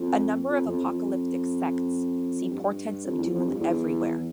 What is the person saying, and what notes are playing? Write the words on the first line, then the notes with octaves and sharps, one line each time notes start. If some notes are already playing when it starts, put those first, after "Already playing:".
A number of apocalyptic sects see portents of doom everywhere.
Already playing: F2
F2
F2
F2
G2
F2
E2
F2
G2
E2